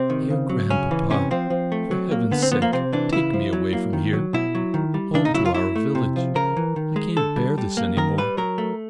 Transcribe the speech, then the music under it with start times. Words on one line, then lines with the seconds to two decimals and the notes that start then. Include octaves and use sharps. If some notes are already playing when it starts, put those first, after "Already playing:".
Dear Grandpapa, for Heaven's sake, take me away from here, home to our village, I can't bear this any more...
Already playing: C3 C4
0.10 D#3
0.30 C#3
0.49 F#3
0.70 C#3 C#4
0.91 E3
1.10 C3 C#4
1.31 F3 C4
1.50 F3
1.72 A3
1.91 F#3
2.11 A#3
2.31 D3 B3
2.42 C4
2.52 F3 B3
2.62 A#3
2.73 C3 C4
2.93 E3 D4
3.13 C#3 E4
3.33 F3
3.53 F#3
3.73 A#3
3.93 D#3
4.13 F#3
4.33 B2 E4
4.55 F#3
4.74 D#3
4.94 G3
5.14 C#3 D4
5.25 D#4
5.34 F#3 E4
5.45 F4
5.54 F#3 E4
5.76 A3
5.95 C3
6.16 F3
6.35 C#3 A#4
6.57 E3
6.76 D#3
6.96 G#3
7.17 D3 A4
7.36 G3
7.58 G3
7.77 A#3
7.97 D#3 A#4
8.18 G3 B4
8.37 F#3 A#4
8.58 A3